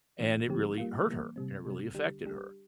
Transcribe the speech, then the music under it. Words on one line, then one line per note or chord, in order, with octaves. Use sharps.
and it really hurt her, and it really affected her,
E3 A3 D4
D3 F3 A3 C4 G4
G3 A#3 F4
E3 G3 A#3
C3 G3 C4
C3 G3 C4
D3 G3 D4 G4
G3 D4 G4